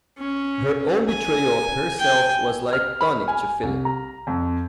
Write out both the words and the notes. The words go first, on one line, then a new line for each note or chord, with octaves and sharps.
Her own betrayal of herself was like tonic to Philip.
C#4
G#5
G5 G#5
F6
B5
G#5
C2
A#5
F2